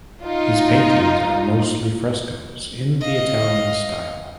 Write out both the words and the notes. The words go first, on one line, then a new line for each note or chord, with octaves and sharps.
His paintings are mostly frescoes in the Italian style.
D#4 F4
D#5 F5